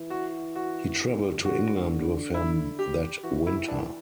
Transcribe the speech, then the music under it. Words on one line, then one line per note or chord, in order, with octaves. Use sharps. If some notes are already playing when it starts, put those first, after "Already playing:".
He traveled to England with him that winter.
Already playing: E3
F#4
F#4
D3 F#4
E4
G4
E3 F#4
E4
D4